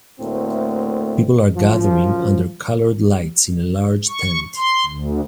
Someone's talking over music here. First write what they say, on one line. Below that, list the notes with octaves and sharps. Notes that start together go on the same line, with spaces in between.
People are gathering under colored lights in a large tent.
D2 A2 A3 A#3 C4
F#2 F3
C#6
C6
D2